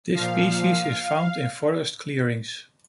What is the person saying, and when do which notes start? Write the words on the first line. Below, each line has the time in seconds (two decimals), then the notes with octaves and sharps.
This species is found in forest clearings.
0.14 A#2 F3 F5